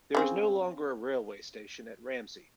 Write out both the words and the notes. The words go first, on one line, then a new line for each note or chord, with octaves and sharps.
There is no longer a railway station at Ramsey.
C#3 C4 G#4